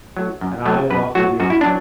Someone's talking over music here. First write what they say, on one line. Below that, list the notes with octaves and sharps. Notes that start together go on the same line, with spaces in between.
And I am off to the army.
F#3 A3
F#2
F#3 A3
F#2 B4
F#3 A3 F#4
F#2 F#4
E4
F#3 D4